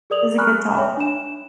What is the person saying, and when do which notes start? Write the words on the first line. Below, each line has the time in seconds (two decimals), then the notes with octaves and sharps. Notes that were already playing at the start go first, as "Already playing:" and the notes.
It was a good talk.
0.10 G#4 A#4 D5 D#6 F7 F#7
0.38 G#5 A#5 B5 C#6 F6 F#6
0.75 C#5 E5 G5 G#5 B5
0.97 D4 E7